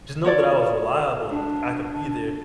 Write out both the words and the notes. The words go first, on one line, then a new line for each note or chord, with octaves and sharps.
just knowing that I was reliable and I could be there,
F#4 C#5 D5
D4